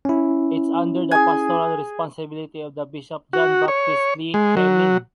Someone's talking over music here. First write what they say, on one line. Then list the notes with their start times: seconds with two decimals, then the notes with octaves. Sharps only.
It’s under the pastoral responsibility of the bishop John Baptist Lee Keh-mien.
0.05 C#4 E4
1.11 G#4 G#5
3.33 F#4
3.68 C#5
4.34 G#3
4.57 F#3